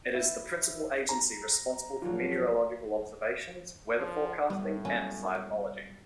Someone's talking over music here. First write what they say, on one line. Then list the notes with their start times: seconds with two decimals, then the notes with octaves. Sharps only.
It is the principal agency responsible for meteorological observations, weather forecasting and seismology.
0.14 E4 E5
1.09 A#5
2.02 A#1 F#3 F4
3.97 F3
4.50 A2 G3 B3
4.85 F#3 B3 C#4